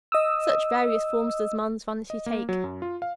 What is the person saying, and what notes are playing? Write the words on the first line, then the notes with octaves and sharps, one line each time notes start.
Such various forms does man's vanity take!
D#5 D#6 E6
D#5
A#3
F#3
F#2
F4
F5